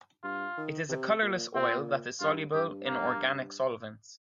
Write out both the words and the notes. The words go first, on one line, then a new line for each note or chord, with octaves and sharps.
It is a colorless oil that is soluble in organic solvents.
G2 F4
D#3
C3
A#2
A#2 C4
G2 F4
G2 G4
A#3